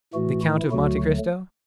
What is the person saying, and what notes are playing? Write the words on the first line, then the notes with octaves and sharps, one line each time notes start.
"The Count of Monte Cristo?"
A2 E3 A3 F#4
E4
D2 D3 F#3 A3 F#4